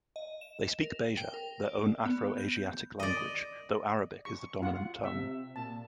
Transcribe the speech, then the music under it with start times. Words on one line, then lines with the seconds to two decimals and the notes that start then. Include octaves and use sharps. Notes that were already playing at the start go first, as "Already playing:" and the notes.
They speak Beja, their own Afro-Asiatic language, though Arabic is the dominant tongue.
0.16 D#5
0.41 E7
0.81 A#4
1.17 G5
1.34 A#4
1.65 D5
2.05 B3
2.38 G6
2.99 D5 D#5
4.25 C#6
4.62 F4 F#5
5.04 C3 E5
5.56 A#2 A5